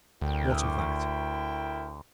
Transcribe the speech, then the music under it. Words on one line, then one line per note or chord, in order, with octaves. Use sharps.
What of that?
D2 E4 A#4 G5